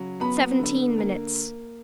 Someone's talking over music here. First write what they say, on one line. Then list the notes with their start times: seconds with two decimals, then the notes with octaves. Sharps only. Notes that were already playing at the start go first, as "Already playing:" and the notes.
Seventeen minutes.
Already playing: C#3 F#3
0.20 B3 B5
0.59 D3
0.98 A#3